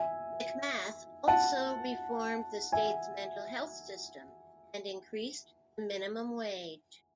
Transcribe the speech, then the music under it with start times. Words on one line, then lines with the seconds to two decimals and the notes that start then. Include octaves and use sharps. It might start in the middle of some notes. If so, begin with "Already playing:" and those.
McMath also reformed the state's mental health system and increased the minimum wage.
Already playing: E5 G#5
1.28 F#5 A5
2.72 E5 G#5